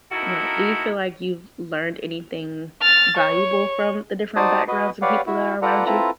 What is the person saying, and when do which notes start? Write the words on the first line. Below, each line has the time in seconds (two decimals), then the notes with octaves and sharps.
Right, do you feel like you've learned anything valuable from the different backgrounds and people that are around you?
0.11 A#3 D#4 E4 F#4 A4 A#4
2.81 F6 A6
3.16 C#5
4.36 D#4 F#4 C5 D5 A5 D#6
4.68 F#4 B4 D#5
5.02 G4 B4 C#5 D5 F5 F#5
5.26 E4 F#4
5.62 F4 A4 B4 D5 F#5 A#5
5.86 C4 E4 F4 A4 B4 A#5